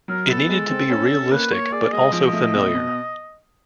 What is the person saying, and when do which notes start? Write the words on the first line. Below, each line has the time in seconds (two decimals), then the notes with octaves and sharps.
It needed to be realistic but also familiar.
0.08 F#3 A#4
0.29 B3 A4
0.49 G#3 A4
0.70 C4
0.90 C#4
1.11 C#4
1.32 A#3 B4
1.52 A#3 C#5
1.72 G#4 D5
1.92 G#3 D#5
2.13 F3 D#5
2.33 A3
2.55 B2
2.74 B2